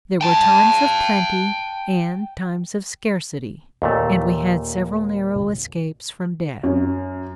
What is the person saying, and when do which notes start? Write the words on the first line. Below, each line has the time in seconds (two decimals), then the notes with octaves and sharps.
There were times of plenty and times of scarcity, and we had several narrow escapes from death.
0.21 G5 A5
3.82 D#2 A#2 A3
6.63 F#2